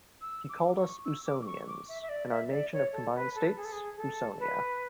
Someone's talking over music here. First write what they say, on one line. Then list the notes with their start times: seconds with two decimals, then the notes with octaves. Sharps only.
He called us Usonians, and our Nation of combined States, Usonia.
0.21 E6
0.49 D6
0.77 C#6
1.05 E6
1.26 D6
1.41 D6
1.46 C#6
1.67 D6
1.88 E5
2.02 E5
2.09 D5
2.30 E5
2.51 D5
2.73 C#5
2.93 A4
3.15 B4
3.35 A4
3.56 G#4
3.64 A4
3.72 G#4
3.97 A4
4.39 B4